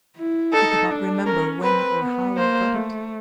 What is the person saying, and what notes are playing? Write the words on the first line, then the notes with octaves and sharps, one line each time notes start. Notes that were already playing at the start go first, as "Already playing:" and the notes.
He could not remember when or how he got it.
E4
D#4 A4
D4
C#4 A#4
C4 B4
B3
A#3 C5
A3